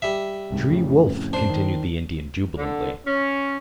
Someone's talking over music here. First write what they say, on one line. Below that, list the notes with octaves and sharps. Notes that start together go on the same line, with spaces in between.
"T'ree wolf!" continued the Indian jubilantly.
G3 E5
F#1 C2 G#2
F2 A2 C#3
D4 C5
D#3
D3
C#4